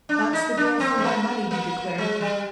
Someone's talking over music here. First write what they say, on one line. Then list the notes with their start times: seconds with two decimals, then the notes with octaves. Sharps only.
"That's the girl for my money," he declared.
0.09 D4
0.33 D#4
0.57 D4
0.80 C4
0.98 G#3
1.04 A#3
1.51 A#3
1.98 G#3
2.21 G3